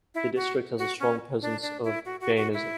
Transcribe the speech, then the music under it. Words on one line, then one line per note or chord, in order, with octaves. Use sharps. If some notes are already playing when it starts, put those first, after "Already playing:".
The district has a strong presence of Jainism.
E4
F#4
F#4
C#4
D4
D4
E4
F#4
F#4
F#4
E4